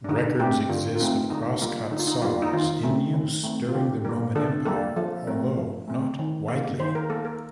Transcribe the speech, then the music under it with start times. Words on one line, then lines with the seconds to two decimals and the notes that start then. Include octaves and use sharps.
Records exist of crosscut saws in use during the Roman Empire although not widely.
0.04 D4
0.09 D3 D#4
0.40 A3 C4 G4
0.69 D3 F4
0.95 F4
1.00 A3 C4 D#4
1.30 D3 D#4
1.61 G3 A#3 F4
1.91 D3 D#4
1.99 F4
2.07 D#4
2.22 G3 A#3 F4
2.42 D#4
2.53 D#3 F4
2.84 A3 C4
3.14 D#3
3.44 A3 C4
3.69 F4
3.74 D3 G4
4.05 G3 A#3 A#4
4.36 D3 A4
4.65 G3 A#3 A4
4.96 F3 A4
5.27 A3 C4 A#4
5.57 F3
5.88 A3 C4
6.19 D#3
6.48 A#3
6.80 D#3 C5
6.95 A#4
7.10 A#3 A4
7.25 A#4